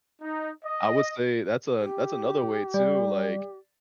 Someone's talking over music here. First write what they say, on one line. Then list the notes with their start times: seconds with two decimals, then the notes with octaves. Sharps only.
I would say that's a that's another way too, like
0.22 D#4
0.64 D#5
1.79 G4
2.74 G3 D5